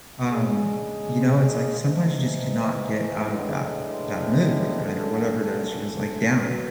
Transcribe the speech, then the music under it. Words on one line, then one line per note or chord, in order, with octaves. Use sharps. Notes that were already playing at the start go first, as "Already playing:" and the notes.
um, you know, it's, like, sometimes you just cannot get out of that that mood that you're in, or whatever it is, you're just, like, down,
C#3 G#3 D4 G#4
G#2 E3 A3
A2 E3 G#3 D4
F#2 D3 A3 D4 A4
F#3 B3 F#4